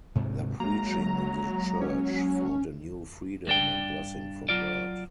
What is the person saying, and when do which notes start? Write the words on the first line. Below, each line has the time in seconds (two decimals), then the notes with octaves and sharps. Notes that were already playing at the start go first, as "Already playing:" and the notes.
Their preaching, and the Church, found a new freedom and blessing from God.
0.15 D2 G#2 C3
0.60 F#3 G#3 A#3 A#5
1.81 C#4
3.47 G2 D4 G5
4.49 F#3 F4 D5